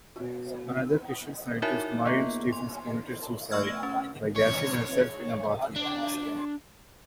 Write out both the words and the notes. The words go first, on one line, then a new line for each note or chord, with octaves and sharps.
Another Christian Scientist Marion Stephens committed suicide by gassing herself in a bathroom.
B2
D#4 E4 F#4 A#4 C#5 E5
A#3 B3 F4
C6
A3 C#6 E6 F6 G#6
C#4
C#5
D4